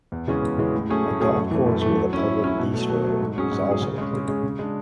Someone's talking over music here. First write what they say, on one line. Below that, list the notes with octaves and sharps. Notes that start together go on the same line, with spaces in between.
A golf course with a public bistro is also included.
E2
C#3 E3 G#3 C#4
E2
C#3 E3 G#3 C#4
A2
F#3 A3 C#4 G#4
A2
F#3 A3 C#4 G#4
F#2
E3 A3
F#2
E3 A3
F#3
C#4 E4
F#3
C#4 E4
B2
F#3 A3
B2
F#3 A3
G#2
F#3 C#4 G#4
G#2
F#3 C#4 G#4
C#3
G#3 C#4
C#3
G#3 C#4
C#3
G#3 D4